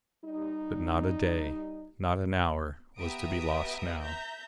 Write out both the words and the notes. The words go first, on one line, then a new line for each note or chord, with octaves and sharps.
But not a day, not an hour, was to be lost now.
G3 D#4
B3 G4 E5 A#5 D#6 D7
E5 A#5 G6